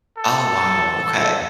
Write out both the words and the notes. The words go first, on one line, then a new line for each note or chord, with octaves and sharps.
Ah, wow, okay.
A4